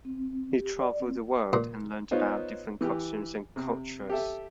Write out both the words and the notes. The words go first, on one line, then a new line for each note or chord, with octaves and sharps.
He traveled the world and learned about different customs and cultures.
C4
G4
D5
C4
A#2
B3 D#4 F4 C5 C#5
E3 G4
C3
G4 A4 E5